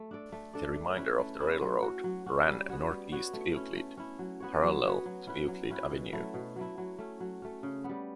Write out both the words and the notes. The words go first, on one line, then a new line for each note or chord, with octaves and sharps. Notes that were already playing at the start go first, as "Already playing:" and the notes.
The remainder of the railroad ran north-east to Euclid, parallel to Euclid Avenue.
Already playing: A3
D4 A4 D5
A3
D4 A4 D5
A3
C#4 E4 B4
A3
C#4 E4 B4
F#3
C#4 F#4
F#3
C#4 F#4
G3
B3 F#4 C#5
G3
B3 F#4 C#5
A3
C#4 E4
A3
C#4 E4
F#3
B3 F#4 C#5
F#3
B3 F#4 C#5
F#3
C#4 E4 B4
F#3
C#4 E4 B4
B2
F#3 A3 E4
B2
F#3 A3 E4
F#3
A3 C#4
F#3
A3 C#4
C#3
B3
G3